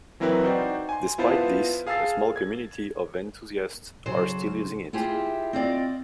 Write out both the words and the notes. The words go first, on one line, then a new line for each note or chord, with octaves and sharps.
Despite this, a small community of enthusiasts are still using it.
E3 F#3 C4 E4 A#4 B4
D#4 F#4 C5 D5 G5
G#5 C6
B3 E4 F4 B4 C5 A5
G#4 F5 A5 E6 A6 C7
G#6
C#3 F#3 C5
E4 F4 G4 G#4 C5
C4 F4 D5 D#5